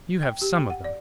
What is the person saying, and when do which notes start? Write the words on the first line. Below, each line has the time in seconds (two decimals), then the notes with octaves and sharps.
You have some of them.
0.23 G5
0.42 G4
0.56 G5
0.70 F#5
0.84 D5